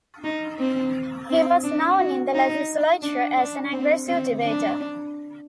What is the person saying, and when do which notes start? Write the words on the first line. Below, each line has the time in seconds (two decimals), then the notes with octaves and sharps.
He was known in the legislature as an aggressive debater.
0.24 D#4
0.59 C4
1.29 C4
1.64 D4
1.99 F#4
2.33 D#4
3.03 D4
3.37 D4
3.72 C4
4.08 C4
4.42 D4